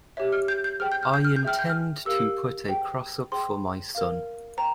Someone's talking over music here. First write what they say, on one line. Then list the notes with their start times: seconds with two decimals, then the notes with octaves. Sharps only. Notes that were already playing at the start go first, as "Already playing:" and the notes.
I intend to put a cross up for my son.
0.17 G4 C#5 E5
0.32 F6
0.48 G6
0.64 G6
0.80 G#4 C5 G5 F6
0.92 G6
1.03 F6
1.14 G6
1.24 F6
1.36 G6
1.43 G#4 E5 G5 F6
1.59 G6
1.70 F6
2.05 G4 A#4 F5 E6
2.68 G#4 C5 G5
3.32 G#4 C5 G5 C6
3.95 A#4 F5
4.57 C5 G5 A#5